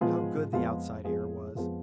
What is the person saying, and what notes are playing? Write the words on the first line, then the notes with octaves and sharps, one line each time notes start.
How good the outside air was!
A#2 F3 G#3 B3 F4 G#4
G#2
G#2
F2 F3 G#3 B3 F4 G#4
F3 G#3 B3 F4 G#4
F2 F3 G#3 B3 F4 G#4